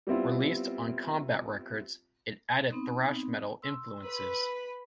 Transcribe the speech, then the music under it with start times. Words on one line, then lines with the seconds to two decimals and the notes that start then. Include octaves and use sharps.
Released on Combat Records, it added thrash metal influences.
0.07 G3 B3 C4 E4 F4
2.72 B3 C4 D#4
3.62 C6 E6
4.03 B4 B5